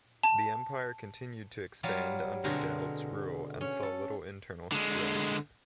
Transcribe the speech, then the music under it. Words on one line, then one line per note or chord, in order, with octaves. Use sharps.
The Empire continued to expand under Daoud's rule, and saw little internal strife.
A5
F#3 G3 F4 B4 F5
B2 D3 G#3 C4 F#4 A#4
C#4
A4
D3 G#3